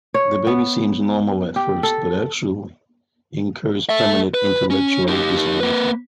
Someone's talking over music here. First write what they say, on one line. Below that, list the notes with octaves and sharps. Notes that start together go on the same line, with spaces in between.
The baby seems normal at first but actually incurs permanent intellectual disability.
C#5
B3
G4
A4
A4 E5
B4
C#4
D#4 G4
A#3 B4